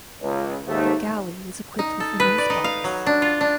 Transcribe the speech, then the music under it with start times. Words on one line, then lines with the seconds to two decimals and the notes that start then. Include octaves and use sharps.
The galley is equipped with an ice box.
0.21 C#2
0.67 D#2 G#2 A3
1.79 D#4
2.00 A4
2.20 B4
2.38 D5
2.50 D#4
2.64 F5
2.84 F#3
3.06 D4
3.22 F4
3.41 D4